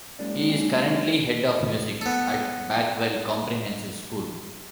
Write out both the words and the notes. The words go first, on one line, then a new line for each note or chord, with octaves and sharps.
He is currently head of music at Backwell Comprehensive school.
F#1 G#3 D5
B3 A4